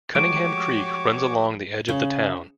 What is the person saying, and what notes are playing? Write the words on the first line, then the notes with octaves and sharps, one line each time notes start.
Cunningham Creek runs along the edge of the town.
F3 G#3 A3 F#4 G4 C#5 D6 D7
C#3